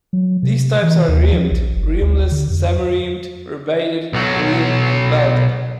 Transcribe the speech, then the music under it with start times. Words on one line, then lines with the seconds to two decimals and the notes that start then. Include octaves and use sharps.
These types are rimmed, rimless, semi-rimmed, rebated rim, and belted.
0.13 F#3
0.43 C3
0.82 E3
1.08 D#2
1.32 F3
1.51 A#1
1.76 G1
2.01 D2
2.32 D3
2.50 F2
4.13 B1 F#3